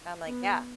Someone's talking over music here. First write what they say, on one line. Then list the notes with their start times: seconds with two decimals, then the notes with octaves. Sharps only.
I'm like, "Yeah."
0.24 B3